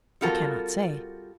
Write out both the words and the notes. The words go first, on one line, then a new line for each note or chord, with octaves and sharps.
"I cannot say."
G3 C4 F4 F#4 A4 A#4